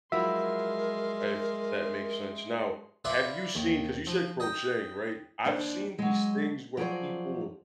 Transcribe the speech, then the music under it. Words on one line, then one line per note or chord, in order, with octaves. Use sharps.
if that makes sense. Now, have you seen 'cause you said crocheting, right? I've seen these things where people
F3 F#3 G#3 E4 A#4 E5 C6
F4 B4 D5 E5
D#2
F3
D#5 G5
D#2 D4 C5 D5
F#3 G#3
F3 F#3 G#4 C5 D5